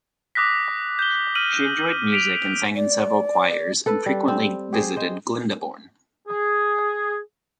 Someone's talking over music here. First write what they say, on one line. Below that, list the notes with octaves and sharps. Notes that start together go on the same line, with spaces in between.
She enjoyed music and sang in several choirs and frequently visited Glyndebourne.
D6 D#6 F#6 A#6 B6
G6 G7
F6 D#7 F#7
B6 D7 F7
D5
A4 B4
G3
C4
G4 G#4 C5
C5 D#5
G#4